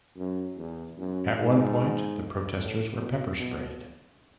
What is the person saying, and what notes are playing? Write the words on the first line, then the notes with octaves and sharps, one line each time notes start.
At one point the protesters were pepper sprayed.
F#2
E2
F#2
G#2
A2
B2
B2